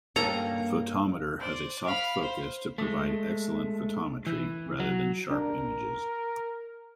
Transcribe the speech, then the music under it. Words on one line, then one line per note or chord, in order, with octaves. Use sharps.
The photometer has a soft focus to provide excellent photometry, rather than sharp images.
G2 A#3 C#4 A4 A#5
C5 D5
F5 B5
C5
G#3 A3
E3
F#3
D4 A#4